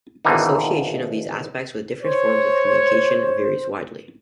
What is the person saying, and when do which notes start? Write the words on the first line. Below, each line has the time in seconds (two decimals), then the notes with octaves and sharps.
The association of these aspects with different forms of communication varies widely.
0.25 G#1 B2 D3 E3 A#3 D#4
2.03 C5 C#5